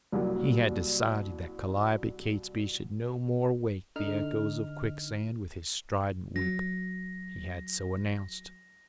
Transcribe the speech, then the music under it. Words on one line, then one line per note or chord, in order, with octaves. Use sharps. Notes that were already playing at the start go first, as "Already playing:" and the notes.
He had decided that Calliope Catesby should no more wake the echoes of Quicksand with his strident whoop. He had so announced.
C2 F#3 G3 A#3
D3 D#4 F6
F#3 A#6